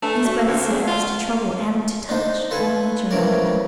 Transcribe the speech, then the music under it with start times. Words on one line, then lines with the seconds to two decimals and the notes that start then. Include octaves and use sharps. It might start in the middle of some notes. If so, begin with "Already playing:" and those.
These breaths sufficed to trouble and to touch all nature round about.
0.02 A3 D4 B4 G#5
0.25 F#4 E5
0.47 D2 C4 C#4
0.70 B3 D4 G#4
0.87 F4 F#5 A5
2.09 D4 D#4 C5
2.51 F4 A4 B4 G#5
3.11 E3 F3 C#4 A#4 D5